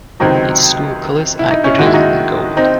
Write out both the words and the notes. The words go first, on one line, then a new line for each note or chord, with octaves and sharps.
Its school colors are green and gold.
C#2 C3 D#3 F#3 C4 D#4
E4
D#4
C#4 E4
D#2 D#3 G#3 F#4
E4
D#4 F#4
C4 D#4